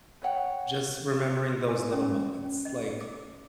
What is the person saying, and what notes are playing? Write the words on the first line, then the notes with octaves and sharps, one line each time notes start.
just remembering those little moments, like
B4 C#5 F#5 G5
G#5
C#4
C#4
D#5
D6